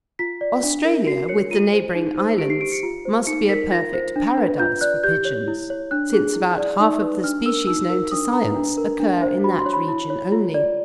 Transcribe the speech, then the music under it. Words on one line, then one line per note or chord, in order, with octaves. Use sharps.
Australia, with the neighbouring islands, must be a perfect paradise for pigeons, since about half of the species known to science occur in that region only.
F4 B6
D5
D4
A#4
F#4 C7
C#5 C#7
F4 D#7
C5
D#4
C5
G4 D7
C7
G4 D7
C#7
F4
C5
D#4 C#7
A#4 B6
F4 A#6
C5
D4
B4
F4 G6
D5 F#6
G4 G6
C#5
E4
C#5
D4 F#6
G#4
E4
D5
D#4
B4
D4 F6
A#4 E6
D#4 E6
A#4 E6
D4 D#6
B4 A#5
D4
A#4
D4
C5
F#4 B5
C6
C#5
B5
E4
C#5
F4
D5